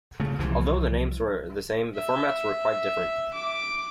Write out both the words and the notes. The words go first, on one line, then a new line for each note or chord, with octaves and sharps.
Although the names were the same, the formats were quite different.
C#3 A3
C2 E3 F3
E5
D6